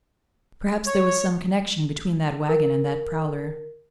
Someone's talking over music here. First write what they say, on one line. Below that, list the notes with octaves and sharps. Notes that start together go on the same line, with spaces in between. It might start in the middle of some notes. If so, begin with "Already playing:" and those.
Perhaps there was some connection between that wagon and that prowler.
C#5
A#4